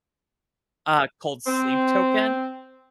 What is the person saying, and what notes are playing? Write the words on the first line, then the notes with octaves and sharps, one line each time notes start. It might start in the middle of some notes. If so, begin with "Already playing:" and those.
uh, called Sleep Token.
C4